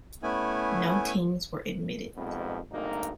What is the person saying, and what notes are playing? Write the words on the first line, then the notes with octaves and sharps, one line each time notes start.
No teams were admitted.
A3 B3 C#4 E4 G#5
C2 F2 G#2 B2
G#1 D2 G3 A#3 D#4